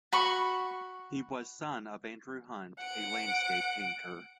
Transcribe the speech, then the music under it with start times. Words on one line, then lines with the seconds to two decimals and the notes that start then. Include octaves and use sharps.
He was son of Andrew Hunt, a landscape painter.
0.13 F#4 B5 C#6
2.80 F#5 D7